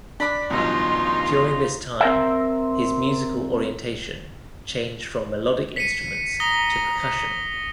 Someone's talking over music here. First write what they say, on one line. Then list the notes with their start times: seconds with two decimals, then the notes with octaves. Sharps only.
During this time, his musical orientation changed from melodic instruments to percussion.
0.20 D4 B5 D6 B6
0.51 A1 D2 G2 B2 F#3 D#4 F4 C6
2.01 C4 A#4 E5
5.76 B6 C#7 D#7
6.40 A#5 D#6 A#6 G7